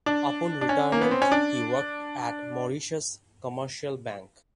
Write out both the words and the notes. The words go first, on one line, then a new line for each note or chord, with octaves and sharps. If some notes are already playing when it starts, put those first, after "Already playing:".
Upon retirement he worked at Mauritius Commercial Bank.
D4
D4
C#4
A#3
B3
C4
C#4
D4